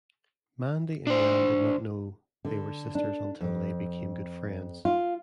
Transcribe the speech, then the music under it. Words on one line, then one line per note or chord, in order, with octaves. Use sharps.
Mandy and Yan did not know they were sisters until they became good friends.
D4 C5
D3
D4
F2
F4